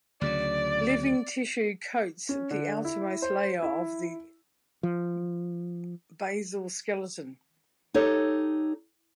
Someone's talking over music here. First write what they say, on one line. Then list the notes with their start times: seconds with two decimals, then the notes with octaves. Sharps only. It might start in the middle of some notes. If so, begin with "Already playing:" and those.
Living tissue coats the outermost layer of the basal skeleton.
0.21 D2 C#3 F#3 D5
2.29 C#4
2.51 D3
2.85 E4
3.22 C5
3.62 E4
4.83 F3
7.94 D#4 G4 A4 C#5